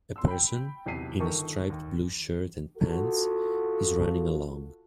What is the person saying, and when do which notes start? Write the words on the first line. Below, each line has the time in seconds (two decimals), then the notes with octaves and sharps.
A person, in a striped blue shirt and pants, is running along.
0.16 C6 E6
0.28 G5 B5
0.86 B1 E2 C3 B6 C7 D#7
1.20 G1 D#3 A4 A#4 C#6
1.70 D#2
2.78 F4 F#4 A4